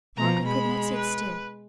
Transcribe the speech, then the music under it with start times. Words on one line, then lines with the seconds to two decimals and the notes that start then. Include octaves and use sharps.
Margaret could not sit still.
0.17 B2 F3 A#5
0.46 G#3 B5
0.96 B4